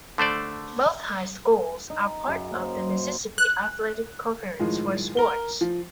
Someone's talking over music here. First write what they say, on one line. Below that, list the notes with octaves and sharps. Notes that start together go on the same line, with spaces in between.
Both high schools are part of the Mississippi Athletic Conference for sports.
D3 A3 C5 D5
D#4
F#2 C#3
A#3 C5
F#6
A2 D#3 F3 G#3
A#4 G7
F3